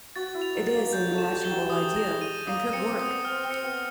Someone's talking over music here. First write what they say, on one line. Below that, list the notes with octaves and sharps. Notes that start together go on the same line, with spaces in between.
It is an imaginable idea and could work.
F#4 A6
E4
F7
D#4
A6
A#3
G#3 G6
A3
E7
G3
G7
F#3
G3 D#6
A#6
G#3
D#7
A#3 D#6
C4 C#7
B3 D#6
C4 F6
C4
C#7
B3